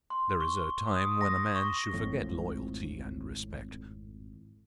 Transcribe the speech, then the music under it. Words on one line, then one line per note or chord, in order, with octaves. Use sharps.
There is a time when a man should forget loyalty and respect.
C6
C#6
D#6
A#6
C#6
G#1 F2 A2